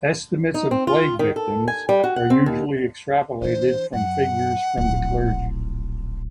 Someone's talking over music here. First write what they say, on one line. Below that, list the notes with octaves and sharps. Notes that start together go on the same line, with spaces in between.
Estimates of plague victims are usually extrapolated from figures from the clergy.
D#4
C4
F4
D#3
A4
G#5
G3
F#4
F#5
C4
D#2
E3 D4 C5
F#2 F#5
D1 A#1